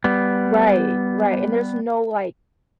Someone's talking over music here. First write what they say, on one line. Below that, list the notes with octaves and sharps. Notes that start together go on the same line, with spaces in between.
Right, right, and there's no like
G3 B3